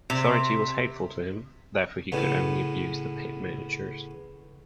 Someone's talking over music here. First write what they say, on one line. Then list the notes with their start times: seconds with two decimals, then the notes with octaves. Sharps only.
Authority was hateful to him, therefore he could only abuse the pit-managers.
0.10 C3
2.12 A2 C#3 B3